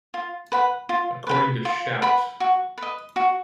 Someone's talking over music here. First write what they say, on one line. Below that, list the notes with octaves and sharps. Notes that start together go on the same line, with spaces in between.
According to Shout!
F4
B4 F#5 B5
F4
B4 F#5 B5
F4
B4 F#5 B5
F#4
B4 D#5
F#4